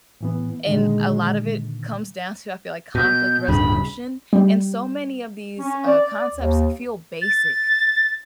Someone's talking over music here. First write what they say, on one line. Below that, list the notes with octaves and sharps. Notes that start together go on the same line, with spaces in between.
and a lot of it comes down to, I feel like conflict resolution, and so many of these, uh, concepts feel basic
A2 E3 B3
A#2 D3 D#3 G#3
B2 G6
D1 G2 C#3 B5
G3
C#4
D5
D#2
A6